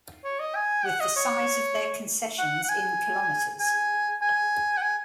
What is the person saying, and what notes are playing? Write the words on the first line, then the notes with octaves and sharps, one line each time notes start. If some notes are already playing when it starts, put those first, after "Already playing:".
With the size of their concessions in kilometers.
C#5
D#5
G#5
F#5
D#5
C#5
F#5
F#5
G#5
G#5
G#5
F#5
G#5